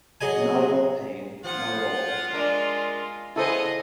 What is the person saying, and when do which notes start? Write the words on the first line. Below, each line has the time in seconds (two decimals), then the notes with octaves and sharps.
Not at all, Payne, not at all.
0.21 F#3 G#4 D#5 G#5
1.44 F3 F4 F#5
2.33 G#3 D4 A#4
3.36 C#3 B3 E4 G#4 A4 C5 D#5